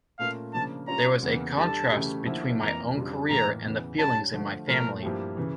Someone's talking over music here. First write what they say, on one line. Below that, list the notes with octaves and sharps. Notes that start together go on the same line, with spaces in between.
There was a contrast between my own career and the feelings in my family.
A#2 A3 C#4 F4 A#4 F5
C#3 F3 A#3 D4 A5
G3 C#4 F4 C#5 A#5
E2 C#3 E3 A#3
G3 D4 A4 A5
C#3 E3 A3 C#4 G4
D3 F3 A#3 E4
F2 E3 A#3 A#5
F2 C#3 G3 D4 F4
A2 E3 A#3 A#5
E2 C#3 E3
G3 D4 G4 C#5 A5
D3 F3 A3
A#2 F3 A3 A#4
G2 F3 A#3 E4 G4
C#3 E3